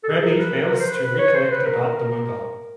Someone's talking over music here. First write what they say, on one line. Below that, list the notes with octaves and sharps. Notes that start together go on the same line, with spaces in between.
Ravi fails to recollect about the mobile.
A4
G#4
A#4
B4
A#4
B4
A#4
C5
B4
B4
C#5
C5
B4
A#4
A#4
A#4